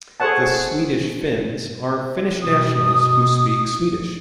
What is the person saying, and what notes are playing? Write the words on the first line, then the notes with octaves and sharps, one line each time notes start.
The Swedish-Finns are Finnish nationals who speak Swedish.
G#4 A4 C5 C#5 F#5 A5
B2 D#6